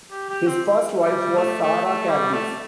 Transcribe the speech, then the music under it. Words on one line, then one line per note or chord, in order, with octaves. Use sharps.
His first wife was Sarah Carbis.
G4
G4
C4
G3
A3
A3
A3
G3
A3